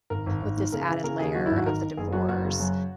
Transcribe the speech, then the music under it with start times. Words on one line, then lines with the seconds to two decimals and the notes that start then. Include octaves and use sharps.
with this added layer of the divorce.
0.10 G#1 A#4
0.26 G#1
0.42 G#1
0.57 G#2
0.72 C#3 A#4
0.89 E3
1.04 C#3 A#4
1.20 D#2 G#4
1.35 F#3 F#4
1.46 G#1 E4
1.57 F#4
1.66 D#3 A#4
1.82 D#3
1.97 F#1 G#4
2.12 F#2 F#4
2.29 F#1 F#4
2.45 C#3
2.60 F#2